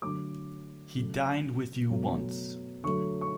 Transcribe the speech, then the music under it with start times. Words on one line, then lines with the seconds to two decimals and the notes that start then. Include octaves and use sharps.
He dined with you once.
0.02 D3 F#3 A3 D6
0.96 C#3 F#3 A3
1.90 B2 F#3 A3
2.83 D3 F#3 A3 C#6
3.21 C#6